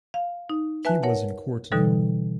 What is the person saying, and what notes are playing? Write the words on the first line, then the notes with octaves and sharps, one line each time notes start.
He was in court now.
F5
D#4
B4 E5 G#5 A5 F#6
A#4 C#5 F#5 A5
B2 D3 E3 G3 D#4 A4